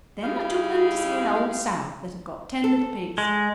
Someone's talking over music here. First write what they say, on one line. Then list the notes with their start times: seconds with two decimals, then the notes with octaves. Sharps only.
Then I took them to see an old sow that had got ten little pigs.
0.23 G3 D#4 E4 G#4 F5
2.64 A4
3.18 G#3